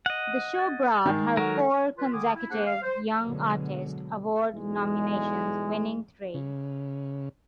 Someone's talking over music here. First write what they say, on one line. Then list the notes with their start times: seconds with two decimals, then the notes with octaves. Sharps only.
The show brought her four consecutive Young Artist Award nominations, winning three.
0.06 D#5 F#5
0.55 G#6 A6
1.06 D#3 G#3
1.37 F#3 A4 A#4 F#5 C#6
1.97 F4 B4
2.12 D3 D#3 A#3 G#5 D6 D#6
2.35 E4
2.49 A#3 D4 G#4 C5 F#5
2.66 F5
2.82 C5
3.25 B2 D3 F#3 G#3
4.53 B1 E2 G#3
6.34 C#3